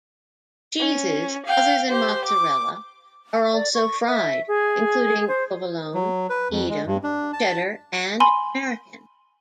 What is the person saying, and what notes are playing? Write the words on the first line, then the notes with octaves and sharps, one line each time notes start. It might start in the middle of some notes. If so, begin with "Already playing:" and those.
Cheeses other than mozzarella are also fried, including provolone, Edam, cheddar, and American.
C#4
F5 G5
G4 C5
D6
D5
C#6
E5
G#4
C5
F#3
B4
F2
G#3
G2
D4
A5
G#5 B5 C6